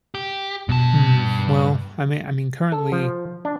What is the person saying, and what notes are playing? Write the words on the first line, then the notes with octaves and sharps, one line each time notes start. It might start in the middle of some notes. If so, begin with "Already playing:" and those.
Hmm, well, I mean I mean, currently,
G4
G2 B2 A5
A4
F3
D4